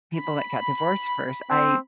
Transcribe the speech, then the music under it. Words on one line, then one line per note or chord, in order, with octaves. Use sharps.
people that got divorced first. I
B5
C4